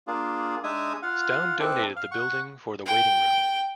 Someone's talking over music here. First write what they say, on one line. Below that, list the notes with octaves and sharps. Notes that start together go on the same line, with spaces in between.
Stone donated the building for the waiting room.
A#3 D4 F4 G#4
G#3 D4 D#4 E5 G#5 D#6
F4 F5 F#5
C4 E4 A4 B4 D5
F5
F#5 C#6
G5